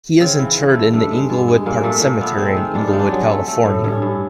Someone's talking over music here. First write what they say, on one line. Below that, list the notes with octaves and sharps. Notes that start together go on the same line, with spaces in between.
He is interred in the Inglewood Park Cemetery in Inglewood, California.
C#3 C4
E3
E3
A3
G2 A3
G#3
G2
G#3
A#2 A#3
A#2 A3
A#2 A#3
A3 B3
G#3 C4
D#3
G2 D4
D#4
G#3
D4
F#3
A3
A3
A2
G2 C#4
G2